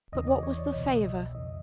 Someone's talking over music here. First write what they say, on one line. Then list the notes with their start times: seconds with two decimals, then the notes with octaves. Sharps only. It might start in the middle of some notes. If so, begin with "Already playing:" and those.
But what was the favour?
0.12 E2 C#3 E3 D#5
0.28 D5
0.43 C#5
0.59 D5
0.74 C2 B2 D#5
1.04 E5
1.35 F2 C#3 E3 D#5